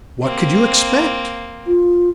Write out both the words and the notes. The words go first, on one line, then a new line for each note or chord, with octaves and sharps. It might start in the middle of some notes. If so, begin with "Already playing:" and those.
What could you expect?
A#3 C4
F4